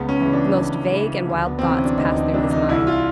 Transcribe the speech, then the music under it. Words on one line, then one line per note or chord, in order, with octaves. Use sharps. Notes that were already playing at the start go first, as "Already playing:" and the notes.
The most vague and wild thoughts passed through his mind.
Already playing: C#2 B3
C#4
C#3 E3
D4
C#2
C#3 E3
D2
B3
C3 E3 C4
C#4
D4
D2 D#4
D#4
C3 E3 D4
D#4
C2 E4
F4